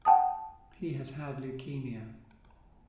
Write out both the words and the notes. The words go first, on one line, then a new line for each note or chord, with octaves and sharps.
He has had leukaemia.
F#5 G5 A5 D#6